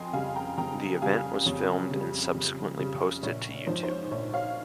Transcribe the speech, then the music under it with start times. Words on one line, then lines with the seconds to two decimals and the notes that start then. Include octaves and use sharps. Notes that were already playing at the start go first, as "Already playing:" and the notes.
The event was filmed and subsequently posted to YouTube.
Already playing: F2 D#5 G5 G#5 C6
0.13 C#3 G3 F5 G#5
0.36 G5 A#5
0.58 F2 G5 A#5
1.02 C#3 G3 F5 G#5
1.46 F2 C#5
1.90 C#3 G3
2.34 F2
2.79 C#3 G3
3.23 A#1 C#5
3.67 G#2 F3 C5
3.83 C5
3.89 C#5
4.11 A#1 C#5
4.33 C#5 F5